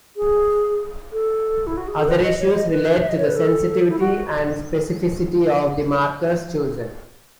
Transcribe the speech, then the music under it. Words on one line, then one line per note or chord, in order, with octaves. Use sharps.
Other issues relate to the sensitivity and specificity of the markers chosen.
G#4
A4
E4
F#4
G#4
A4
B4
D#5
C#5
D#5
B4
E5
D#5
C#5
B4
A4
E4
F#4